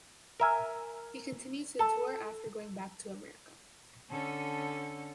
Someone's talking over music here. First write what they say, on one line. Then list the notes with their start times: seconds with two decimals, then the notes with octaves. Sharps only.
He continued to tour after going back to America.
0.40 A#4 E5 G#5
1.79 A4 A5
4.10 D3 C#4 A4